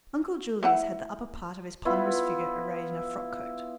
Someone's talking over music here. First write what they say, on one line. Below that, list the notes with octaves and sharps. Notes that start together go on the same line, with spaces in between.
Uncle Julius had the upper part of his ponderous figure arrayed in a frock-coat.
A3 E4 F#5
B3 E4 F4